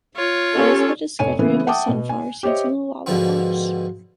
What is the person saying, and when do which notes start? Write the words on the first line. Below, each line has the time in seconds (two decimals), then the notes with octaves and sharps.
That is the discovery of the sunflower seeds and the lollypops.
0.16 F4 C#5
0.54 C#4 G4 A4
1.19 F1 C#5 G#5 D#7
1.39 C#3 E3 A3 B3 E4 A4
1.67 E5 F#5 G5 A5 D6 D#6
1.88 B2
2.09 G#5
2.43 G4 C5 C#5 D#5 E5
3.06 G#2 B2 D3 F3 B3 C4